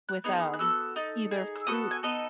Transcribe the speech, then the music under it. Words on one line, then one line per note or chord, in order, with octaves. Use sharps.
with, um, either fruit
F#6
B3 D#4 G#4
F#6
B3 F#4 A4 E6
D#4 A4
D#4 G#4
E6
B3 F#4 A4 D#6
G#5
B3 D#4 A4 D#5